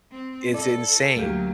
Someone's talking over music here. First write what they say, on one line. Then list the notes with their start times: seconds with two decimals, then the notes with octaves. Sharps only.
It's insane
0.11 C4
0.53 E4 A4 D5
1.16 D2 F#3 A#3 G4